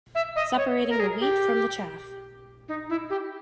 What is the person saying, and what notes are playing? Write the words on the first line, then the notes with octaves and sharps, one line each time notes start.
Separating the wheat from the chaff.
E5
D#5
C#5
A#4
G#4
G4
D#4
E4
G4